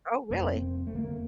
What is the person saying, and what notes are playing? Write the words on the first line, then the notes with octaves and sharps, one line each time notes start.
Oh, really?
F1 F2 C3 A#3
C4
A3
F1 E2 D3 A#3